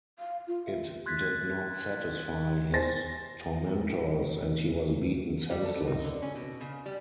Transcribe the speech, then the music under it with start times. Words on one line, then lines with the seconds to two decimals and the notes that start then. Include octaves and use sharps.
It did not satisfy his tormentors, and he was beaten senseless.
0.19 F5
0.47 F4
0.66 E5
1.06 C6 F#6 G#6 A6 B6
2.74 C5 G#5 A6 A#6
5.50 G3
5.65 A4
5.87 D#4
6.04 D3
6.22 C#4
6.35 B2
6.61 C#3
6.86 G3